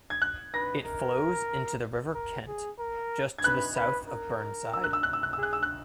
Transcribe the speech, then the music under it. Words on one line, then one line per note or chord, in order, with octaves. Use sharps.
It flows into the River Kent just to the south of Burneside.
G#6
F#6
B4 A#6
A#4
A#4
G#4
A#4
G#6
B4 F#6
B4
A#4
E6
F#6
E6
F#6
E6
F#6
E6
G#4 F#6
E6
F#6